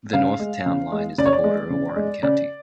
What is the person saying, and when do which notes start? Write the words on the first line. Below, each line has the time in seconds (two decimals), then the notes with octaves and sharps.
The north town line is the border of Warren County.
0.13 C#3 F5
0.39 G#3
0.66 C#3
0.92 G#3
1.18 C#3 D5
1.26 C#5
1.33 D5
1.44 G#3
1.70 C#3
1.96 G#3
2.23 C#3 D5